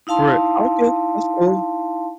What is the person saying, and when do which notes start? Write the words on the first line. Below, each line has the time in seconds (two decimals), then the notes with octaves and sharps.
Right, okay, that's cool.
0.07 D#4 E4 F5 A5 C6